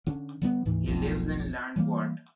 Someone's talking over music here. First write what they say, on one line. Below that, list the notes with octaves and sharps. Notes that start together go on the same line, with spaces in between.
He lives in Landquart.
D3 C#4 D4
D3 G3 B3
D2 G#2 C3 E3
F1 B1 F2
E3 G3 G#3 A#3